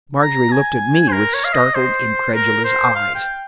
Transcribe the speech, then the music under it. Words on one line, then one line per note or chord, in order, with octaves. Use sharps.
Margery looked at me with startled, incredulous eyes.
A#5
G#5
C5
A#4
C#5
F5
D#5
C5
A#4
C5
F5
G5